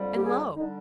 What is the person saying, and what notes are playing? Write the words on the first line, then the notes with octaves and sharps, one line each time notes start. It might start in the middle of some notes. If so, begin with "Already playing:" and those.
And lo!
Already playing: F2 D3 G3
G4
G#4
D3 G3 D#4